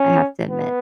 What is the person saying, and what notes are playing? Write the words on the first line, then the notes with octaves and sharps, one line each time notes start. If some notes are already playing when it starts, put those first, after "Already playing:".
I have to admit.
Already playing: C#4
B3